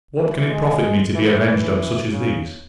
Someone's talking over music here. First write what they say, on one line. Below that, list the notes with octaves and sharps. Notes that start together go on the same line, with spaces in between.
What can it profit me to be avenged on such as these?
E3
G#3
E3
E3
C#3